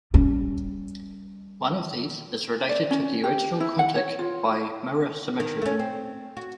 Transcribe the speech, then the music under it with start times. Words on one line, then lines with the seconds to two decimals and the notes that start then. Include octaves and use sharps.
One of these is related to the original quintic by mirror symmetry.
0.14 G3 C#4
2.69 D5
2.91 C#4
3.24 G4
3.60 E4
3.79 F#5
3.96 C#5
4.19 F4
5.40 D#3
5.62 A3 C#4
5.79 C4
6.37 F#4